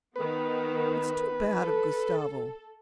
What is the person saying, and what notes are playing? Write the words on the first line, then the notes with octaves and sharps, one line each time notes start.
It's too bad of Gustavo!
D#3 B3 B4
A4